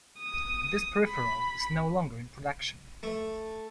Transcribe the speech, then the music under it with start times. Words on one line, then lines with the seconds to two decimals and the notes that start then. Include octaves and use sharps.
This peripheral is no longer in production.
0.19 D#6
1.08 B5
3.03 A3